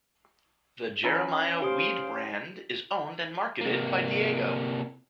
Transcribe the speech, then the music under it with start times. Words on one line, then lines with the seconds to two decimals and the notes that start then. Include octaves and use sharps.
The Jeremiah Weed brand is owned and marketed by Diageo.
1.04 E3 C#4 E4 A#5
1.62 G4 C5 F5 D#6 D7
3.61 C3 A#3